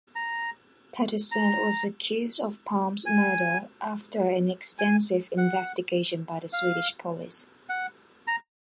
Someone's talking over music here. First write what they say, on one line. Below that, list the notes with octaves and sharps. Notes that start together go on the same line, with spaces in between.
Pettersson was accused of Palme's murder after an extensive investigation by the Swedish police.
A#5
A#5
G#5
G#5
F#5
F5
F#5
A#5